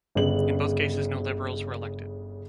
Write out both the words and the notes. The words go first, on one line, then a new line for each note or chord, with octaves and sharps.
In both cases no Liberals were elected.
G1 C#3 F#7